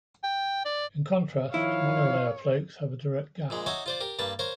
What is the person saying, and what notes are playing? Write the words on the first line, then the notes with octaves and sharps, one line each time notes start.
In contrast, monolayer flakes have a direct gap.
G5
D5
D#3 F3 E4 C#5 F5
A#1 A#2 G#3
D#4 F#4 C#5 E5 G#5 D6
F4 C5 D5
G4 A#4
G2 A#3 B4 A5
A#4 C5 C#5 F5